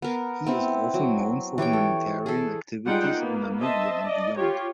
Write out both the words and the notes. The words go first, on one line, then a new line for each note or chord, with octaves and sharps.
He is also known for humanitarian activities in Namibia and beyond.
B3 A#4
B3 C4 E4
F#3
E3 G4 C#5 G5
A4
G#4 A4
G3 G#3 D#4 F4 F#5 G5
A#3 B3
C5 D#5 E5 A5
D5 D#5
F4 G4 C#5